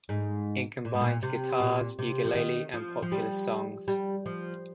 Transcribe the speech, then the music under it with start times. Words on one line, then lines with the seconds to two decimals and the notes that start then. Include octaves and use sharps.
It combines guitars, ukulele, and popular songs.
0.09 G#2
0.85 A#2
0.94 G#2
1.01 A#2
1.23 C3
1.60 A#2
1.99 C3
2.25 F3
2.36 D#3
2.74 F3
3.02 F3
3.12 G3
3.88 G3
4.26 F3